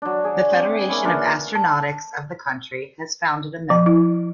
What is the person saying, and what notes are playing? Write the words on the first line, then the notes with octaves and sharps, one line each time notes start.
The Federation of Astronautics of the country has founded a medal.
F#3 D4
G#4 D5
C4
A#3 C#4 E4
E3 C#4 D4 F4
A5
F3
E4